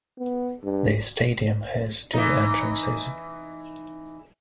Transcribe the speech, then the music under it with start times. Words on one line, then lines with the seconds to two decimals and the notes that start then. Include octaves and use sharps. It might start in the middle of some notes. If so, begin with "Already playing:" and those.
The stadium has two entrances.
0.18 B3
0.63 G2
2.13 E3 D#4